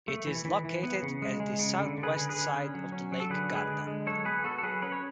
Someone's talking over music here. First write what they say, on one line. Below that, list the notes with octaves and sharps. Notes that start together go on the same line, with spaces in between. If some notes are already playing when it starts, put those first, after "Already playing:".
It is located at the southwest side of the Lake Garda.
A3
E3
E3
E3
B3
C#3
G#3
G#3
C#3
D3
D3
G#4 B4
D3
G#4 B4
D3
C#4
F#3
C#4
F#3
A4
D3 G#4 B4
G#3
G#4 B4
D3
G#3
F#3 A4 C#5
B3 G#4 B4
B3 F#4 A4
A4
F#3 G#4 B4
C#4 B4
C#5